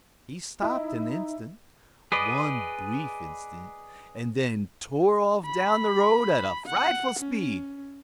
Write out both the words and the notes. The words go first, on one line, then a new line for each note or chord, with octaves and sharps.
He stopped an instant, one brief instant, and then tore off down the road at a frightful speed.
D#4 E4
G#4 B4 D5 D#5
B5
F#5
C#4